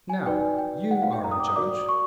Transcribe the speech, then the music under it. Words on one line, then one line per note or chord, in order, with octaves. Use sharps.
Now, you are a judge!
G#5
D#4 F#4 B4 D5 G5
G5
F#5
F5
G5
A#5
D#6
D6
D#6
F#4 A#4 D5 D6
C#6